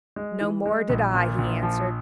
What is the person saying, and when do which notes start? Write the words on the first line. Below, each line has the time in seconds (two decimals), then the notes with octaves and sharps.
"No more did I," he answered.
0.16 G#3
0.41 E3
0.66 G#3
0.89 A#1
1.14 A#2
1.38 A#1
1.63 F3